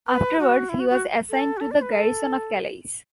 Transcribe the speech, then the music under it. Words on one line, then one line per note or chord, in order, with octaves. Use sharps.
Afterwards, he was assigned to the garrison of Calais.
B4
F#4
E4
F#4
F#4
A4
F#4
A4
D5
B4
A4